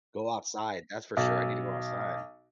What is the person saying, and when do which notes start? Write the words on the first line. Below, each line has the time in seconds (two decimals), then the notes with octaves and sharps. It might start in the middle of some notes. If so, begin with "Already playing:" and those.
Go outside, that's for sure, I need to go outside.
1.17 B1